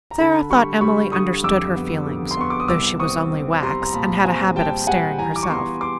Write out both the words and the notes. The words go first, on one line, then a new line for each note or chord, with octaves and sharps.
Sara thought Emily understood her feelings, though she was only wax and had a habit of staring herself.
A#5
D3 A5 B5
G3 B5 C#6
G3 B5 C#6
D3 C#6 D#6
F2 D6 E6
B3
D3
C6
B3 C#6
D6
D#6
C2 D6 E6
C4 C#6 D#6
C4
G3 A#5 C6
A#5
A#2 A5 B5
C4 G#5 A#5
G3 G5 A5
G3 F#5 G#5
E3 G#5 A#5
D6
C#6
B3 A#5 C6
C6 D6